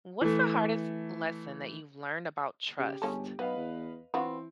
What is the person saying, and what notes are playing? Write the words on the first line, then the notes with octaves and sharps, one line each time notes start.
What's the hardest lesson that you've learned about trust?
E3 A3
C#3 G4
G1 G#3 C#4 A4
B1 B3 B4 D#5 F5
E2
E3 B3 C4 F4 F#4